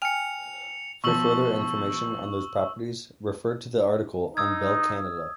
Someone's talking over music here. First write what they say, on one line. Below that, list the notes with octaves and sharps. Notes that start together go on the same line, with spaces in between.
For further information on those properties, refer to the article on Bell Canada.
G5 G#5 F6 C#7 F7
B2 F3 C#6 E6 F#7
D#4 D#6 E6 G#6